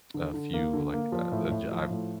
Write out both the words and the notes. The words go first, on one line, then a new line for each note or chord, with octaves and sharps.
a few, like, uh, a jo I've
D3
D3
A#3
D3
A#3
F3
A2
A2
F3
A2